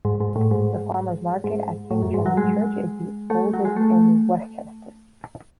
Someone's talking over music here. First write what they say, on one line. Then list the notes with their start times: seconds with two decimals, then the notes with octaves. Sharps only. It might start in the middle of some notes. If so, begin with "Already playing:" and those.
The famers' market at Saint John's Church is the oldest in Westchester.
0.05 G#2
0.20 G#2
0.36 A2
0.51 G#2
1.44 G#2
1.91 A2
2.02 F#2
2.14 G#2
2.26 F#3
2.37 G#3
3.30 A3
3.54 F#3
3.65 G#3
3.76 A3